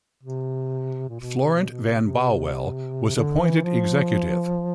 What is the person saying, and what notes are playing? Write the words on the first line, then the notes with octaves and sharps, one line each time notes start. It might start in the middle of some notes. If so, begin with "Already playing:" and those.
Florent Van Bauwel was appointed executive.
C3
A#2
B2
C3
B2
B2
C3
C3
D3
E3
F3